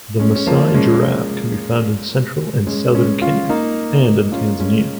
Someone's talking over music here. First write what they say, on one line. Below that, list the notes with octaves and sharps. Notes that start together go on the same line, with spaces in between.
The Masai giraffe can be found in central and southern Kenya and in Tanzania.
G#3 C#4
C#4
F3 A#3
G#3 C#4
G#3 C#4
G#3 C#4
C#4 F4
A#3 D#4
C#4 F4
G#3 C#4